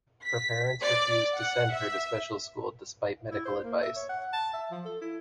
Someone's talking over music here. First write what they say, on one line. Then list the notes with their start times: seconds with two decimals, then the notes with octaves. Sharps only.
Her parents refused to send her to special school despite medical advice.
0.25 B6
0.82 D5
1.35 F#5
1.72 E5
3.31 E4
3.45 C5
3.64 A#3
3.83 E5
3.96 C#5
4.09 F#5
4.33 A5
4.53 E5
4.71 F3
4.85 A4
5.01 E4